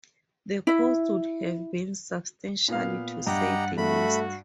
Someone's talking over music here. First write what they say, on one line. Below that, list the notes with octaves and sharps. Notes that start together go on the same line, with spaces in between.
The cost would have been substantial to say the least.
E4 E5
A#2 B3 F5
G2 G4 D#5 F#5 A#5
G2 A3 F#4 B5